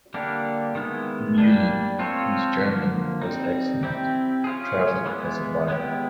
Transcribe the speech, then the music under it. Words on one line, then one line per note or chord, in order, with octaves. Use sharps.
Meulen, whose German was excellent, travelled as a buyer.
D3 G3 A#3 D4 G4
D#3 G#3 B3 E4
G3 A#3 D4
C4 F4 A4 C#5
D3 F3 A#3
G3 C4 D#4
C4 E4 G4
C#4 F4 G#4
E3 G#3 B3 E4
G#3 B3 E4 G4